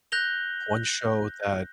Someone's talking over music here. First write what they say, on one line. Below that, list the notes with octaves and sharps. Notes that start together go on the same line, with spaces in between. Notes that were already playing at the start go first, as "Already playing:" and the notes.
one show that
F#6 G6 A#6 F7 G7